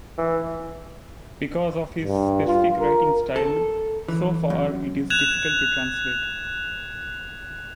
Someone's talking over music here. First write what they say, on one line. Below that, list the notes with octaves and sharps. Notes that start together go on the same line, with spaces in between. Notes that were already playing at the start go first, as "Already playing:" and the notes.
Because of his specific writing style, so far, it is difficult to translate.
E3
G2
F4
A#4
A4
E3
F#2
F#6 G#6 E7 F7